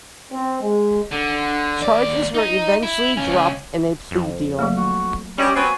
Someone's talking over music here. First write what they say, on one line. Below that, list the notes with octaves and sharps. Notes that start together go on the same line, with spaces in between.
Charges were eventually dropped in a plea deal.
C4
G#3
D3
D#2 D5
D#4 D#5
E4
C#2 C#4
F2
F#3 A3 A#3
F#4
G3 C#4 G4 C#5 D#5
B3 C4 F#4 G#5